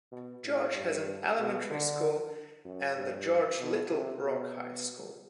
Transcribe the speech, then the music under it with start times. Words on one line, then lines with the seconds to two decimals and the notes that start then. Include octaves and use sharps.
George has an elementary school and the George-Little Rock High School.
0.12 B2
0.44 A2
0.75 G2
1.39 B2
1.70 D3
2.65 F#2
2.96 G2
3.59 B2
3.91 C3
4.23 B2